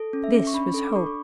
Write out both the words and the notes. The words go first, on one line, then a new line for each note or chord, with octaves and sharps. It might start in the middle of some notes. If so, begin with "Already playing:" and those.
This was Hope.
Already playing: A4
C#4
E5
C#4
C#6
D4 B5
A4
D6
C#6
D4 B5
C#6